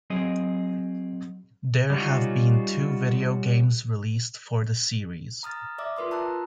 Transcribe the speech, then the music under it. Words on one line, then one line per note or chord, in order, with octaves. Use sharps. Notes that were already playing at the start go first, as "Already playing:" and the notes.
There have been two video games released for the series.
F#3 C4 G#4 D#5
G3 C#4 D#4 F4 F#4
A#5 D#6 F6 A6
D5 E5 D6 E6
F4 A#4 B4 C6 D#6
A5 A#5 E6 F#6